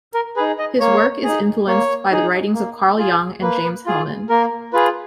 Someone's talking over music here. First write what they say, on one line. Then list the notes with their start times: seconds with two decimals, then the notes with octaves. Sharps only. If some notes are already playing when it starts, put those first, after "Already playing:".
His work is influenced by the writings of Carl Jung and James Hillman.
0.14 A#4
0.36 D#4 G#4 B4
0.58 D#5
0.80 A#3 C#5
1.24 D#4 G#4
1.67 A#3 C#5
2.11 D#4 G#4
2.54 A#3
2.98 F4 G#4
3.42 A#3 B4
3.86 F4 G#4
4.29 A#3 A#4
4.73 F4 G#4 B4